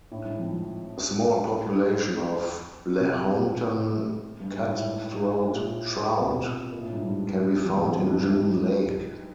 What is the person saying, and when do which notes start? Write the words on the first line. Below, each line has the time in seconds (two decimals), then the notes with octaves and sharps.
A small population of Lahontan cutthroat trout can be found in June Lake.
0.12 A2
0.25 G#2
0.38 F2
0.52 F2
3.00 C3
4.40 G2
4.52 G#2
4.65 A2
5.48 A#2
6.20 C3
6.30 B2
6.72 A#2
6.82 A2
6.92 G#2
7.03 G2
7.65 F2
7.75 E2
7.86 F2
7.96 F#2
8.08 G#2
8.16 G2
8.37 G#2